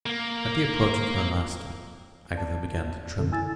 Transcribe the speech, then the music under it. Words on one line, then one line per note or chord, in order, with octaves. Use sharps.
At the approach of her master, Agatha began to tremble.
A#3
D5 A5
C#2 B2 D3 D#3 C4 A4
E4 G#5 E6 A6